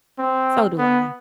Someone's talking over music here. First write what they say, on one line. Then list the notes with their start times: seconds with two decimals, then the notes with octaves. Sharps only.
So do I.
0.19 C4
0.78 B3